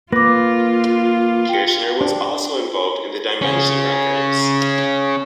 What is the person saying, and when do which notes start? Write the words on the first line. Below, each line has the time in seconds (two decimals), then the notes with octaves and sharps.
Kirshner was also involved in Dimension Records.
0.12 A#3 F4 B4 D6 A#6
1.49 G5 C#7
2.01 D4
3.42 C#4 G#4